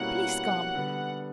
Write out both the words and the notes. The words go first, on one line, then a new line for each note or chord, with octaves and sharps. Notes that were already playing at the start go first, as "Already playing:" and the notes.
Please come!
Already playing: B2 G3 A#3 C#4 E4 F#5
D3 G3 B3